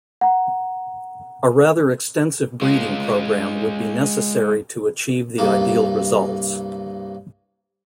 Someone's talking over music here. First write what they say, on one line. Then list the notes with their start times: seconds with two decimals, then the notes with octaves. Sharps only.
A rather extensive breeding program would be necessary to achieve the ideal results.
0.21 F#5 A#5
2.62 G#3 F4
5.38 C2 G2 A#3